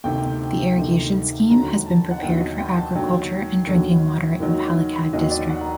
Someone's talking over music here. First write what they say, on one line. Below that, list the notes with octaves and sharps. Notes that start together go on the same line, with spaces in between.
The irrigation scheme has been prepared for agriculture and drinking water in Palakkad district.
D2 C3 D#3 G5
D2 C3 D#3
D#2 D3 F#3 A#5
A5
F#5
D#2 D3 F#3 G5
D#5
G5
A5
D#2 D3 F#3 G5
D#2 D3 F#3
D#2 D#3 F#3
D#2 D#3 F#3 D#5
D5
F#5
A#5